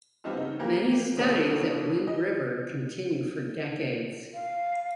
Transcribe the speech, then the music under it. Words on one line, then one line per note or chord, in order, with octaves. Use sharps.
Many studies at Wind River continue for decades.
G3 B3 C4 D4 D#4 F4
C#3 D#4
E3 A#3 G4 A#4
B2 D3 G3 A#3 B3 C#4
D#5
F5